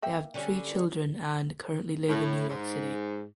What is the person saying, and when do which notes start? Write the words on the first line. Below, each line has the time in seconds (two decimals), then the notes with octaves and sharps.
They have three children and currently live in New York City.
0.02 A#3 E5 G5
0.34 D3 G3 C#4
2.07 A2
2.49 G#2